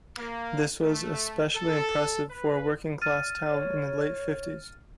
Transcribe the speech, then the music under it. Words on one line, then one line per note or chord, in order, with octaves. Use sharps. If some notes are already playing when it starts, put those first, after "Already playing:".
This was especially impressive for a working class town in the late fifties.
A#3
A3
A4
B4
F6 A6 D#7
C#5